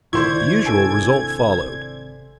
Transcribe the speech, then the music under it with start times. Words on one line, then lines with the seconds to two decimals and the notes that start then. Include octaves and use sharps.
The usual result followed.
0.13 D2 A2 D#3 E4 C5 D5 C#6 G#6
0.63 G#1 C3 D4 A4 G#5 D7